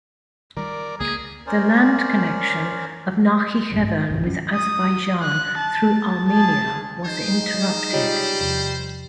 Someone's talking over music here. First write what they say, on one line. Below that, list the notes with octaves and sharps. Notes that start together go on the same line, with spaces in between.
The land connection of Nakhichevan with Azerbaijan through Armenia was interrupted.
D#3 G3 A#4 D5
C#2 A#3 G#4
C#4 A#4 C5 D5
A#1 G2 B2 F#3
G#2
B1 F#2 C3 F3
F#3 C#4
D#6
F#6
A5
G#4 A5
G#3 D#4 C5
G3 F4 C#5 D#5
E2 C3 F3